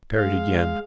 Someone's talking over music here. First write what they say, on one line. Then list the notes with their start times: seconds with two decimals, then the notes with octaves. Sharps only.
Parried again.
0.16 G#3 F5